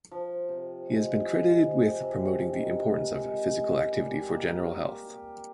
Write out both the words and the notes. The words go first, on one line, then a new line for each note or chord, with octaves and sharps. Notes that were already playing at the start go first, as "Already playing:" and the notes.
He has been credited with promoting the importance of Physical Activity for general health.
F3
C3
G#3
G#3
C3
C3
D#3
G#3
G#3
G#3
G3
A#3
G4
G4